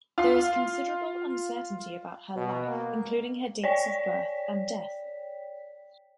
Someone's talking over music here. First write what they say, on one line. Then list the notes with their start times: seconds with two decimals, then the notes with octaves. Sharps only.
There is considerable uncertainty about her life, including her dates of birth and death.
0.18 F4 F5
2.36 B2
2.67 A#3
3.64 C#5 D5 G5 B6